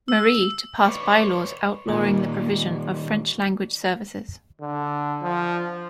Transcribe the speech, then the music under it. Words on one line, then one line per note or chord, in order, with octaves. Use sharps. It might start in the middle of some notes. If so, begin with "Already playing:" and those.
Marie to pass bylaws outlawing the provision of French language services.
E6
B4 C#5 D5
A#2 D#3 G3
D3
F3